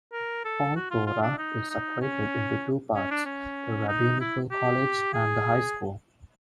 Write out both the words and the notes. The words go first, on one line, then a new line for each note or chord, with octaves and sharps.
Kol Torah is separated into two parts, the rabbinical college and the high school.
A#4
A4
F#4
F4
F4
D4
D#4
D#4
C#4
C#4
D4
C#4
D#4
E4
G4
G#4